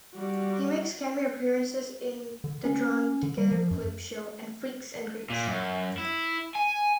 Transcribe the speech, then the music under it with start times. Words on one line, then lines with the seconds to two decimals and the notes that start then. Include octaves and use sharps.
He makes cameo appearances in "The Drawn Together Clip Show" and "Freaks and Greeks".
0.15 G3 F#4
2.44 D3
2.65 C#4
3.23 D3
3.38 G3
3.52 F3
3.71 F#2
5.30 A#2
5.47 F#2
5.98 E4
6.55 G#5